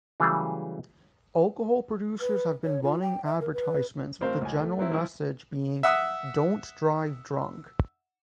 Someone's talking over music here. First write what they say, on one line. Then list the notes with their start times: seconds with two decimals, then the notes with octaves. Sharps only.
Alcohol producers have been running advertisements with the general message being "don't drive drunk".
0.20 C#3 E3 F#3 G3 A3 G#4
2.20 B4
2.64 C#5
2.83 F4
3.02 G5
3.25 E5
3.40 A#4
3.53 B4
4.21 A1 C4 A#4 C5 F5
4.42 C#2 G#5
4.59 A3
4.79 F#3 C4 E4
4.91 F3 E4 F4
5.83 E5 F#5 D#6 E6